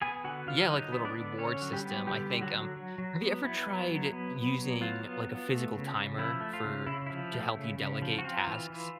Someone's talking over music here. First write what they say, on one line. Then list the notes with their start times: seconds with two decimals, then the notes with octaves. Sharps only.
Yeah, like a little reward system, I think, um have you ever tried using, like, a physical timer for to help you delegate tasks?
0.02 B3 G#4 G#5
0.24 D3 F#4 F#5
0.47 D3 F4 F5
0.70 F#3 D#4 D#5
0.92 B3
1.05 D4 D5
1.15 D3
1.38 D3 C#4 C#5
1.62 F#3
1.73 G3 G4
1.84 B3
2.07 D3 G3 G4
2.30 D3
2.41 F#3 F#4
2.53 F#3
2.76 F#3
2.98 F#3
3.21 B3
3.44 B3 E4
3.67 F#3
3.91 F#3
4.13 B3
4.36 B3
4.59 F#3
4.81 F#3 F4
5.04 B3
5.27 B3
5.49 A3
5.73 C#3
5.96 C#3
6.18 F3 E4
6.41 A3
6.53 F4
6.64 C#3
6.87 C#3 E4
7.06 F3 E4
7.33 A3
7.56 C#3
7.78 C#3
8.02 F3
8.18 F#4
8.24 C4 F4
8.47 E3
8.70 E3